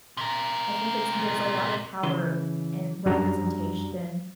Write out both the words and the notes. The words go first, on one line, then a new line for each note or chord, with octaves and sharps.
I think it's there's a lot of power and representation,
C3 A#4
C#3 E3 B4 C6
F#2 G3 D4 F#4 A#5